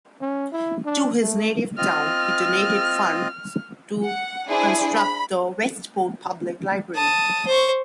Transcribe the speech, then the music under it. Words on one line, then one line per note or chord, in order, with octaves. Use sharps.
To his native town he donated funds to construct the Westport Public Library.
C#4
E4
D4
A3
C4 F4 D#5 F6
F#5
D4 E4 G#4 C5 G#5
B5
A5 D#6
C5 C#6